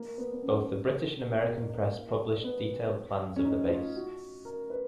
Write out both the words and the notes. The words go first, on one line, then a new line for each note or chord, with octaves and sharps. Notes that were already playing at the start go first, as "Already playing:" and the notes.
Both the British and American press published detailed plans of the base.
Already playing: A#3
B3
B3
C#4
A#3
B3
C#4
D#4
F4
F#4
A#4
B4